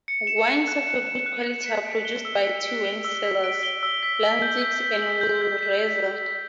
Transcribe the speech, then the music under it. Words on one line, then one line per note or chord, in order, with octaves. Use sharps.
Wines of a good quality are produced by two wine cellars, Landzicht and Wilreza.
C#7
E7
F#6
F#6
C#7
E7
F#6
F#6
B6
D7
G7
E6
B6
D7
G7
E6
B6
D7
G7
E6
B6
F#7
G6
G6
B6
F#7
G6
G6
B6